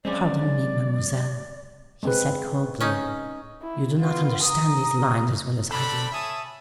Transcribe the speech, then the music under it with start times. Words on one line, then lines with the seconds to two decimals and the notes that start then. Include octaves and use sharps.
'Pardon me, mademoiselle,' he said, coldly; 'you do not understand these lines as well as I do.
0.05 F#3 G#3 C4 C#4 G#4 D5
2.03 G#3 C4 B4
2.80 C#4 D#4
3.63 E4
3.99 B3 F4
4.44 A#5 D#6
5.71 C4 D4 A4 B5
6.12 C#5 E5 G#5 A5 D#6